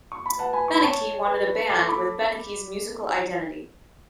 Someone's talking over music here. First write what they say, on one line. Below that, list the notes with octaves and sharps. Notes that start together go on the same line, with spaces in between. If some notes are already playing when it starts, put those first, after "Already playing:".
Beneke wanted a band with Beneke's musical identity.
C#6
B5
B4 F#5 A5
G#5 B5
C#6
B5
C#5 A5 C#6
B4
A4 D6
C#6
B5 D6